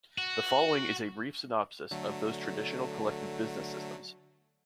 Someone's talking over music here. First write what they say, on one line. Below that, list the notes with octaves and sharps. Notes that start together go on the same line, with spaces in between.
The following is a brief synopsis of those traditional collective business systems.
F#4
D3 F#3 A3